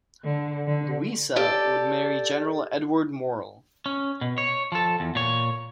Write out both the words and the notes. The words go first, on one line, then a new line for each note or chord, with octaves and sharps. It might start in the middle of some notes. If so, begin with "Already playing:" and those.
Louisa would marry General Edward Morrell.
D3
D3
G4 A4 D5
C#4
B2
C#5
F3 A4
E2
A#2 C#5